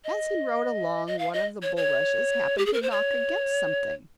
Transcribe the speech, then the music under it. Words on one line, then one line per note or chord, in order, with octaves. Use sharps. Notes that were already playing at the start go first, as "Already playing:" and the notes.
As he rode along one of the bulrushes happened to knock against something.
D#5
D#5
F5
D#5
C#5
C#5
G4
G#4
A#4
C5
C#5